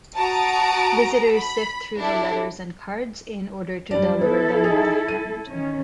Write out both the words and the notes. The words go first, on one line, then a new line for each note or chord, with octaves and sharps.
Visitors sift through the letters and cards in order to deliver them by hand.
F#4 A5 A#5 D#6 D7
B5
D4 E4 G4 A4
F#2 G3 D4 D5
B3 E4 A4
D#4 G#4
D#7
D#3 C#4